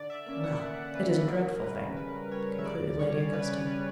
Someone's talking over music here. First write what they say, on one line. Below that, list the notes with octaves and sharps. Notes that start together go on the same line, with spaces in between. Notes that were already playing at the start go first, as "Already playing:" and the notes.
"Well, it is a dreadful thing!" concluded Lady Augusta.
Already playing: D3 D5
E5
A#3 C#4 E5
F#5
D3 D5
A#3 C#4 B4
C#3 A#4
G3 C#4 B4
C#3 B4
G3 C#4 C#5
E5
C#3 D5
G3 C#4 C#5
C#3 B4
B4
G3 C#4 B4